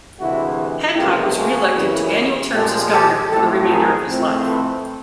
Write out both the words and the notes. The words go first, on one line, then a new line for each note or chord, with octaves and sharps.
Hancock was reelected to annual terms as governor for the remainder of his life.
D2 C3 E3 G#3 E4 F#4
C#2 C3 F3 A#3 F4 G4
F#4 G#4
F#2 C#3 E3
A#2 F3 G#3 G4 A4
G4 A4
A2 F3 A3 C4 G4 A4
G#4 A#4
A2 F3 A3 C4
A4 B4